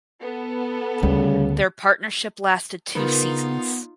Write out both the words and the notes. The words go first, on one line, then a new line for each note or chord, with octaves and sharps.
Their partnership lasted two seasons.
B3 A4
D2 C#3 G3
C#3 B3 D#4 F4 A#4 B4